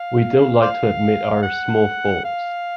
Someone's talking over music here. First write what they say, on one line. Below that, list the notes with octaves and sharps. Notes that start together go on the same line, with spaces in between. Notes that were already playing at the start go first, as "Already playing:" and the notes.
We don't like to admit our small faults.
Already playing: F5
C5 D5 F5
F#5
F5